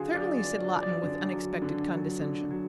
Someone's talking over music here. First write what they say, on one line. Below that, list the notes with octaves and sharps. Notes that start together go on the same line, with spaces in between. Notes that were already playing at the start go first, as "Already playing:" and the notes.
"Certainly," said Lawton, with unexpected condescension.
Already playing: D3 F#3 F4 F#4 G#4
F#3 D5
D5
D3
D5
F#3
D5
D3
F#3
D3
F#3
D3
F#3